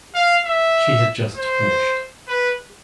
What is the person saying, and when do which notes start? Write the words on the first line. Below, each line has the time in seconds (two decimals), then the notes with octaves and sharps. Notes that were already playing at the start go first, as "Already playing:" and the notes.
She had just finished.
0.15 F5
0.45 E5
1.36 C5
2.28 B4